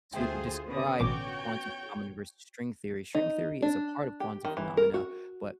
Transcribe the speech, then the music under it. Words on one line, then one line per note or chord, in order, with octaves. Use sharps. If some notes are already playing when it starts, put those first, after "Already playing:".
to describe the quantum phenomena versus string theory string theory is a part of quantum phenomena, but
D2 F4 G#4 C5 E5 G5
D3 B3 C#4 B5 D#6
A1 B2 F#4 C#5 G5 D6
D#4
D4
G4
D#3
E3
A#4
F#4